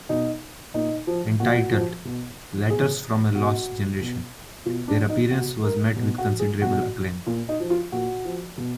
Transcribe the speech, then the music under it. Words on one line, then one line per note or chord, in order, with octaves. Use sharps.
Entitled "Letters from a Lost Generation", their appearance was met with considerable acclaim.
B2 D#4
A#2 D#4
F3
A#2 F#4
F3
B2
B2 G#4
B2 F#4
B2
B2 F4
D4
D#4
B2 F#4
A#4
B2
F#4
G#4
B2 F#4
A#2 F4
D#4
F3
F4
A#2 F#4
F3
B2